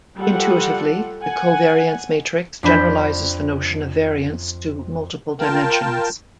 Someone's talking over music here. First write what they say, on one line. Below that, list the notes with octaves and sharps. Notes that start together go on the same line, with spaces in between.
Intuitively, the covariance matrix generalizes the notion of variance to multiple dimensions.
G3 F4 A4 F#5
F#5 G#5
F2 D4 B5 G6 B6
F4 A#4 G5 A5